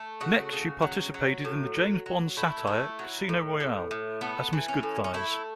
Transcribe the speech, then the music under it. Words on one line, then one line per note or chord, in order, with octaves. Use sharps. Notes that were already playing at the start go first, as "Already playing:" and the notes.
Next, she participated in the James Bond satire, "Casino Royale", as Miss Goodthighs.
Already playing: A3
C#3 F#4
C#3
F#3
F#3
A2
F#3
F#3
A3 E4
A3
F#3
A2
A2
A2
A3 B3
E3
C#4
A2
C#4
A3 E4